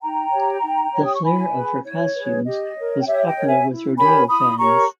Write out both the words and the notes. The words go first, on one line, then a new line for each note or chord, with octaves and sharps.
The flair of her costumes was popular with rodeo fans.
D#4 G5 A#5
G4 C#5
D#4
G4 C#5
D#6
C#6
E4 G#5 B5
G#4 B4
E4 C#5
G#4 B4
G4 D#5
A#4 C#5
G5
G4 C#5 E5
D#5 G5
A#4 C#5
E5 G#5
E4
G4 A#4 C#5 G#5 B5
E4 B5 D#6
G4 A#4 C#5 A#5 C#6